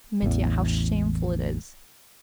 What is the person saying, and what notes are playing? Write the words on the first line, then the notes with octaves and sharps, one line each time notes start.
Mitya, how shameful it is!
A1 E2